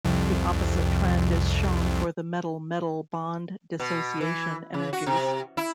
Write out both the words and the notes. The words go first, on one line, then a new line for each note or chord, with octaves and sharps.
The opposite trend is shown for the metal-metal bond-dissociation energies.
C2 F2
B2
E3
C#3
F#4
C3
E4